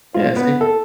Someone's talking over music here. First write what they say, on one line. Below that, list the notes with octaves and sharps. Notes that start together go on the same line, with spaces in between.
yeah, see
F4
B3
A4